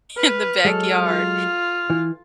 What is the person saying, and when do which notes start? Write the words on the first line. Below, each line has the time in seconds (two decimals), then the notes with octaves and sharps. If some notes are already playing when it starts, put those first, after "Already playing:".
in the backyard.
0.17 B4 F6
0.65 F#3 G#3 A4
1.06 F4
1.90 E3